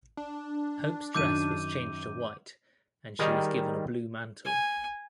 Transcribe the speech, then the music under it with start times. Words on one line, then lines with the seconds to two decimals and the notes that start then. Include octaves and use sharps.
Hope's dress was changed to white, and she was given a blue mantle.
0.17 D4
1.14 F#2 D#3 D6 E6 G6 D#7
3.19 D#3 G3 D#4 G#4 A#4
4.45 G#5